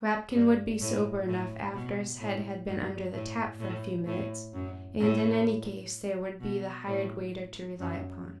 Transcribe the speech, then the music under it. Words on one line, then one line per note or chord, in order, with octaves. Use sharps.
Rapkin would be sober enough after his head had been under the tap for a few minutes, and in any case there would be the hired waiter to rely upon.
G2
A2
A2
B2
A2
G2
A2
A2
A2
F#2
A2
B2
A2
F#2